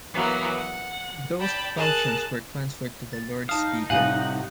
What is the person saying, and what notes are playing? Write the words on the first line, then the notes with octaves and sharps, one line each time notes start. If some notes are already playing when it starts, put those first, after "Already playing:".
Those functions were transferred to the Lord Speaker.
E3 F#3 A#3 B3
F#5
D5 G5 A5 B5
G#4 A#4 A5 F#6
A6
D#4 F5 A5 D#6
A2 C3 G3 F5 F#5 G#5